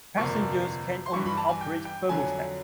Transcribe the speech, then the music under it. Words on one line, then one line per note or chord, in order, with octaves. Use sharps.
Passengers can only operate thermostat.
G1 F2 C3 F3 A#3 C#6
C6
G2 E3 G3 C#6
B5
A5
G#5
G5
G5
F2 D3 F#3 G#5